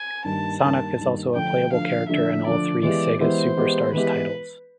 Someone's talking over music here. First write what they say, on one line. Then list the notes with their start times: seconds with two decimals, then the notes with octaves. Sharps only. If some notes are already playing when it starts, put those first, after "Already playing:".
Sonic is also a playable character in all three "Sega Superstars" titles.
Already playing: G#5
0.25 G2 D#3 G3 A#3 A5
0.61 G2 D#3 G3 A#3 A5
0.99 G2 D#3 G3 A#3
1.36 D3 F3 A3 D4 G5
1.73 D3 F3 A3 D4 F5
2.09 D3 F3 A3 D4 E5
2.46 D3 F3 A3 D4 D5
2.83 E3 G#3 B3 E4 G4 D5
3.20 E3 G#3 B3 E4 G4 C5
3.56 E3 G#3 B3 E4 G4
3.93 E3 G#3 B3 E4 G4 B4